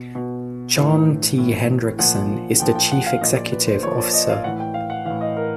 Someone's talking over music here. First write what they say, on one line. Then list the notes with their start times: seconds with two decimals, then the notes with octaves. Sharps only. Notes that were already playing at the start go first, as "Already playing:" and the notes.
John T. Hendrickson is the Chief Executive Officer.
Already playing: B2
0.15 B2
0.76 A2 E3
1.38 A2 E3
1.99 A#2 F3 F#5
2.60 A#2 F3 G5
2.76 G5
2.92 F#5
3.06 F5
3.21 A#2 F3 D#5
3.37 D5
3.52 B4
3.67 C5
3.83 A#2 C#5
3.87 F3
3.98 D5
4.14 D#5
4.29 F5
4.44 A2 E3 F#5
4.60 G5
4.74 F5
4.90 F#5
5.05 E3 F5
5.10 A2
5.21 D#5
5.37 A#4